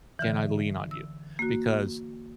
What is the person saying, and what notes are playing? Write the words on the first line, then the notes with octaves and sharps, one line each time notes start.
Can I lean on you? Because
D3 E3
E6
A#3 F#4